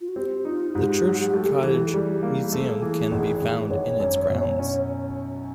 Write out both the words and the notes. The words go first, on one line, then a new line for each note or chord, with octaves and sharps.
The Church Cottage museum can be found in its grounds.
F4
F#4
C4 G4
D#4 F4
G#2 G4
F#3
A3
E3
A4
G3 G#4
A#3
A3 G#4
E3
G#1
G#1
G#1 C#5
F#2
B2
C#4